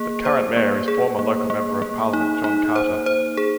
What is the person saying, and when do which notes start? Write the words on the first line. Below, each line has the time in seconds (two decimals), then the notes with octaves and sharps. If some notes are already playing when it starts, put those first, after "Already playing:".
The current mayor is former local Member of Parliament John Carter.
Already playing: A#3 G#4
0.25 C5
0.57 A#3
0.88 G#4
1.19 A#3
1.50 A#3
1.82 A#3
2.13 D#4
2.44 D#4
2.76 C5
3.06 C5
3.37 G#4